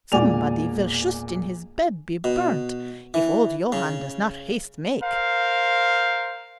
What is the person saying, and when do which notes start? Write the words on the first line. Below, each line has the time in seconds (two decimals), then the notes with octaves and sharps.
"Somebody vill shust in his bed be burnt, if old Johann does not haste make!"
0.12 E1 A#2 D5 G#5 F7
2.24 B2
3.14 E3
3.72 C#3
5.03 A#4 C5 F5